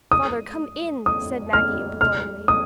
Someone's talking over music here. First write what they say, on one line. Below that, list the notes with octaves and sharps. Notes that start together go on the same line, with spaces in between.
"Father, come in!" said Maggie, imploringly.
D#6
D#6
F6
F6
D#6